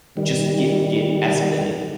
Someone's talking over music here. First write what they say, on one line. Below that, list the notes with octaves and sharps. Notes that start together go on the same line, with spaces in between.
just get get escalated,
D#3 G3